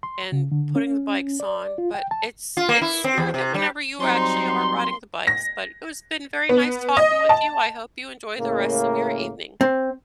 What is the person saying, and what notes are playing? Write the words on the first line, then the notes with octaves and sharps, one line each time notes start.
and putting the bikes on, but it's it's worth it whenever you actually are riding the bikes, but it has been very nice talking with you, I hope you enjoy the rest of your evening.
C6
C#3
D3
C#4
D5
F4
G5
A5
F4
A#3
E4
C4
E2
C3
G3
F#3 G3 C4 D#4 C6
C6
A#6
B3
D#5
A5
A2 C#3 A#3
C4